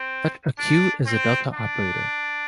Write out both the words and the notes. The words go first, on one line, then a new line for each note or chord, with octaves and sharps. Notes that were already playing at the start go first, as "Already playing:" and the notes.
Such a "Q" is a delta operator.
Already playing: C4
D4
C4
D4